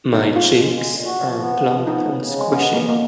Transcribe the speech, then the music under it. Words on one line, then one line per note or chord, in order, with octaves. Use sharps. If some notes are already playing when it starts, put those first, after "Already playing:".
My cheeks are plump and squishy.
A#2
D#4
A#3
F3 F4
G#3
G#3
A#2
F#4
F3
B3
F3
F3
B3 D#4
C#3
C#3
G#3
B3 C#4
B2
A#3
B2
A#3